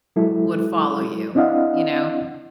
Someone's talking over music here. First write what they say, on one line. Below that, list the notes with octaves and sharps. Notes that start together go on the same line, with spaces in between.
would follow you, you know?
F#3 G#3 E4 A4
C4 D4 E4 D#5 F5 F#5